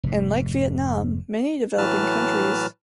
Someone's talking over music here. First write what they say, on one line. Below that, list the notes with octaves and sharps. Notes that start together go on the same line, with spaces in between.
And like Vietnam, many developing countries.
F1 G#2
A2 E3 F#3 B4 A5 F6